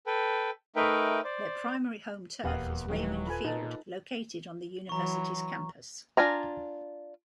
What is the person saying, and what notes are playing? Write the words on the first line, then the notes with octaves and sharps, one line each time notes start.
Their primary home turf is Raymond Field located on the University's campus.
A4 B4 G5
A3 D#4 A#4 B4 E5 G5
C5 D5
D#1 E2 A#3 G4 B4 F5 F#5 D#6
G2 D#3 E3 F#3
F4 A4 B4 G#5 B5
A#2 D#4 A5
E3 F#3 A#5 C#6
D4 F4 G#5 A#5